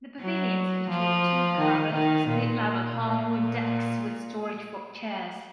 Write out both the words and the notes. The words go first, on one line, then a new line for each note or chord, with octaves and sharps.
The pavilions feature two covered, split-level, hardwood decks with storage for chairs.
F#3
F3
D#3
D#3
A#2
A#2